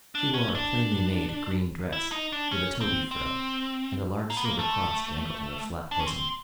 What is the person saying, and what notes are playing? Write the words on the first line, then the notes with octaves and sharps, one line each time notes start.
She wore a plainly-made green dress, with a toby frill; and a large silver cross dangled on her flat bosom.
D4
C#4
D4
E4
D#4
D4
C#4
C4
C4
A#3
B3
A#3
A3
D4
C#4
C4